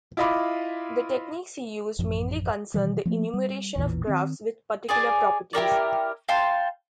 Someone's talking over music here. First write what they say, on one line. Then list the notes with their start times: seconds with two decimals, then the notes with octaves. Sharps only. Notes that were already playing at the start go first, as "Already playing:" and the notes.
The techniques he used mainly concern the enumeration of graphs with particular properties.
0.17 E4 F4 D#5 F5 B5 D6
1.99 A1 F#2 F3
2.74 B2 D#3 E3 G3
3.06 F3 A3 A#3
3.34 G3
3.76 A1 E2 A#2 E3
4.07 D#3 C4
4.89 G#4 D5 G#5
5.53 E4 G4 A#4 D5
6.29 F5 G5 A5 C6